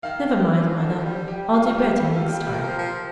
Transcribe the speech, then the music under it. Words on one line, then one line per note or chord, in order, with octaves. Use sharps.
'Never mind, Mother; I'll do better next time.'
D#3 F5
D#3
F3
D3
F3
G3
G4
F4
F4
G4
A4
F4
G4
G4
F3 A#4
F3